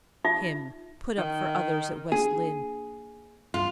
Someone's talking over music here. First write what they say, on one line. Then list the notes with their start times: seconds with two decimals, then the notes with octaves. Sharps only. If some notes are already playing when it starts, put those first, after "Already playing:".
Him put up for others at West Lynne!
0.24 D#4 F4 E5
1.18 D#3
2.12 A#3 D4 G#4
3.54 G2 F4